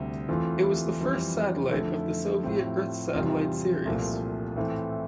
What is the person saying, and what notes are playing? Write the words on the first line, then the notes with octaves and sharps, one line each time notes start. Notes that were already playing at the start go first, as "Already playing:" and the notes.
It was the first satellite of the Soviet Earth Satellite series.
Already playing: D2 C3 G3
E2 E3 A3 C4 F4
F2 E3 G3 C4
F2 D3 A3 E4
A2 F3 C4
E2 C3 G3 F4
C2 A#2 F3 A3 C4
A2 E3 A3 C4